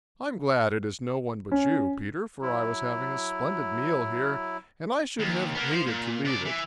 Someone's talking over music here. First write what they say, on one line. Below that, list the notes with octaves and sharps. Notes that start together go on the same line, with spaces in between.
I am glad it is no one but you, Peter, for I was having a splendid meal here, and I should have hated to leave it.
C#4
F#3 E4
D#2
A#3 B3
F3 C5
A#2
C3 D5
E3